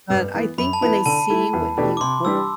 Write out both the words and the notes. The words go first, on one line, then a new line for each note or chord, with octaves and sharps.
But I think when they see what you we
G2
E3 B3
F#2 B5
A5
E3 B3 E4 B5
D3 A5
A3 E4
E2
B2 A3 D4 G4
D6
C3 C6
E3 G3 D4 G4 E6